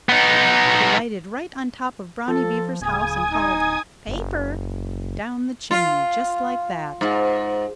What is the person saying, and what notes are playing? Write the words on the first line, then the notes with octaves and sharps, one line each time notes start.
He lighted right on top of Brownie Beaver's house and called "Paper!" down the chimney--just like that!
B3 D#4
F3 A4
D1 C#3 G#5 D#6 G#6
D#4
F#1
F4
G#2